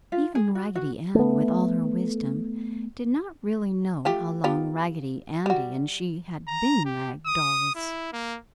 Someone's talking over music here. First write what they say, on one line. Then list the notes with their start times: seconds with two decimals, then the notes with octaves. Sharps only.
Even Raggedy Ann, with all her wisdom, did not really know how long Raggedy Andy and she had been rag dolls.
0.12 F4
0.35 G#4
0.55 F#4
0.75 F#4
1.15 A3 B3
4.05 A3 F4 G4
4.44 B3 F4 G4
5.46 G3 F#4
6.48 A#5
6.85 G4
7.26 D#6
7.75 E4
8.13 A#3